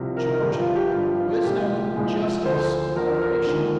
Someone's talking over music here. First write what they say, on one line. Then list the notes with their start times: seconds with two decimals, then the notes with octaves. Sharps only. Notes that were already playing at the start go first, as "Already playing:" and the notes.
Georgia--Wisdom, Justice, Moderation.
Already playing: C2 C3 F3
0.17 A#4
0.41 G1 G2 F3 G4
0.59 F4
0.75 G4
0.92 G1 G2 F3 F4
1.32 F4
1.43 C2 A#2 F3 G#3 G4
1.94 C2 A#2 F3 G#3
2.45 D2 D3 F3 C5
2.96 D2 D3 F3 A#4
3.22 A#4
3.47 D#2 D3 F3 G#3